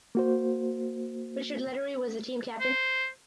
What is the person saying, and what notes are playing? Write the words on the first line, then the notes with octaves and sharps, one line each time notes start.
Richard Lettieri was the team captain.
A#3 F#4 C5
C5